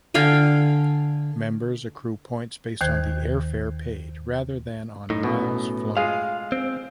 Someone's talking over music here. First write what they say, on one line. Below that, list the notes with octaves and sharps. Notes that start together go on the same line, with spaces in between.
Members accrue points based on the airfare paid rather than on miles flown.
D3 F5 G5 G#5
D#2 D#3 C5 G#6
A2 D#4
F#2 B2
G#3 F4 G#4 F5
C4